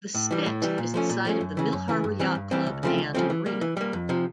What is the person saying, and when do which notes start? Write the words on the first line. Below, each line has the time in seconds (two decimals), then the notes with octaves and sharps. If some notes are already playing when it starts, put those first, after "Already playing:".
The Spit is the site of the Middle Harbour Yacht Club and a marina.
0.14 A2
0.31 E3 G3
0.46 A2
0.62 E3 G3
0.78 A#2
0.94 F3 A3 C#4
1.10 A#2
1.25 F3 A3 C#4
1.41 F#2
1.57 C#3 E3
1.73 F#2
1.88 C#3 E3
2.04 G2
2.19 E3 G3 C4
2.35 G2
2.51 E3 G3 C4
2.67 C#2
2.83 C#3 F3 A3 C4
2.98 C#2
3.15 C#3 F3 A3 C4
3.30 E3
3.46 G3 A#3
3.61 E3
3.77 G3 A#3
3.93 F2
4.09 C3 F3